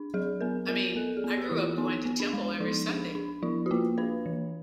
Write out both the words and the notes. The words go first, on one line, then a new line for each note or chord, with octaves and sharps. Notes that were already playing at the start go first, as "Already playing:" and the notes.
I mean, I grew up going to temple every Sunday.
Already playing: D4
F#3 G#4
B3 A#4
B3 A#4
B3 A4
G#4
B3
G4
E3 E4
F4
B3 D#4
B3
D4
G#3
F3 D#4
D4
D4
F3 E4
F#4
A#3 F4
D4 B4
E3